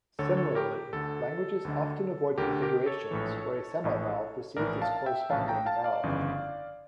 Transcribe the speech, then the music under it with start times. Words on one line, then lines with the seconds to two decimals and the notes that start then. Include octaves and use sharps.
Similarly, languages often avoid configurations where a semivowel precedes its corresponding vowel.
0.19 D2 D3 A4 C#5
0.37 A4 C#5
0.55 G4 A#4
0.75 G4
0.93 D2 D3 A4
1.65 D2 D3
2.38 D2 D3 G4 A#4
2.62 G4 A#4
2.86 A4 C#5
3.11 A#1 A2 E3
3.84 A#1 A2 E3
4.57 A#1 A2 E3 A#4 D5
4.82 F5 A5
5.06 E5 G5
5.30 A#1 A2 E3 F5 A5
5.48 G5 A#5
5.66 F5 A5
5.84 D5 F5
6.03 G1 F2 C#3 E3